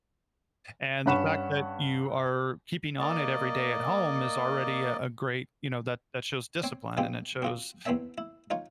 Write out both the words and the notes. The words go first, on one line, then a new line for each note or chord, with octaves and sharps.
and the fact that you are keeping on it every day at home is already a a great, you know that that shows discipline and it shows,
G2 C#4 F#5 B5 C#6 E7
A#3 D5 D#5
C4 C#5
B2 B3 C4 F4 G4 G#4
C4 F4 F#4
E2 B3 C4 C#5 E5 A5
E4
D#4 F4 C#5